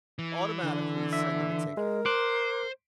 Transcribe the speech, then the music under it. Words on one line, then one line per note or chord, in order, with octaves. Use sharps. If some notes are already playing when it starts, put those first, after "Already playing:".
automatically send them a ticket."
E3
D3
E5
G#3 A#4
C5 C6 D6 F#6